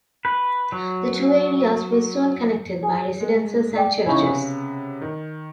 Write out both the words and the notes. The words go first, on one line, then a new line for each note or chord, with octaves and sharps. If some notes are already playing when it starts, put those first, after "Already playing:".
The two areas were soon connected by residences and churches.
B4
F#3
G#4
G#3
D5 G5
C#3 D#4 E4 C#5 G#5
C3 B3
D#3